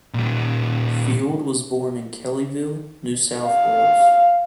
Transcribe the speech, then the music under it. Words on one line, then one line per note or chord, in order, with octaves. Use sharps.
Field was born in Kellyville, New South Wales.
A#2 G3
F5